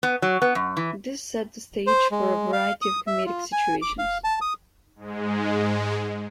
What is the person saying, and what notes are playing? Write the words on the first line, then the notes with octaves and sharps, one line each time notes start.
This set the stage for a variety of comedic situations.
B3
F#3
B3
F#2
E3
C5
G#3
F5
D#6
E5
F4
G#5
D6
F5
A5
D#6
G#2 G#3